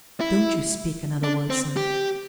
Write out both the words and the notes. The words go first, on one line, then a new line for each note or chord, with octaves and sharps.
Don't you speak another word, Sir.'
E4
D4
C4
G4